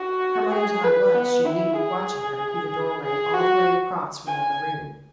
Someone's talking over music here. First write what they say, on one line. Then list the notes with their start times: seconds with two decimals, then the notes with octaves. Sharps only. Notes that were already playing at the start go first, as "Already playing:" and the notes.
Her mother's eye was, she knew, watching her through the door-way all the way across from the other room.
Already playing: F#4
0.52 G#4
0.83 B4
1.15 B3
1.46 E4
1.77 G#4
3.02 G#4
3.34 F#4
4.27 G#5